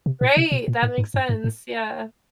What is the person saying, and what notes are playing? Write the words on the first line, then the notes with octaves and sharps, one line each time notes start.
Right, that makes sense, yeah.
C3
A#2
C3
B2
A#2
A2
G#2
G2
G#2
A2